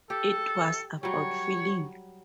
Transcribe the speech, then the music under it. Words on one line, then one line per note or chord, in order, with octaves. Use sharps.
It was about feeling.
G4 A4
F#3 G3 C#5